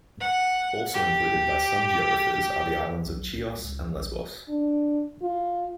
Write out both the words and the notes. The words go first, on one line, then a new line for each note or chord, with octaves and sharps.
Also included by some geographers are the islands of Chios and Lesbos.
F#5
G4
B1
C2
C#2
A#1
D4
F4